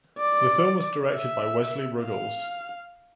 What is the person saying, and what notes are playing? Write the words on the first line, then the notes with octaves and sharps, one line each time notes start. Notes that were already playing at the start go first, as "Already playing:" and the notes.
The film was directed by Wesley Ruggles.
D5
E5
F5